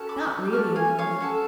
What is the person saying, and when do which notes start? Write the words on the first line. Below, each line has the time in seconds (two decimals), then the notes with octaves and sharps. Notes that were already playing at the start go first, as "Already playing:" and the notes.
Not really in love.
Already playing: C#4 F#4 A4
0.09 B5 D6
0.31 D6 F#6
0.45 D6
0.53 C#4 F#4 A4 C#6 F6
0.75 F5 G#5
0.98 C#5 F5
1.20 C#4 F#4 A4